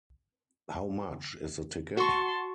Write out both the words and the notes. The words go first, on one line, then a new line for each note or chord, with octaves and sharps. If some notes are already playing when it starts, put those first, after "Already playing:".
How much is the ticket?
F#4 A5 C6 C#6